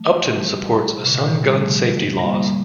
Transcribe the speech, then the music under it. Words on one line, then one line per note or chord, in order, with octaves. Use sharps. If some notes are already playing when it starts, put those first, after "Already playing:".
Upton supports some gun safety laws.
Already playing: F3 A3
E3 G3
C3
A#2 D3
A#2 D3
C3 E3
E3 G3
F3 A3
G3 A#3
G3 A#3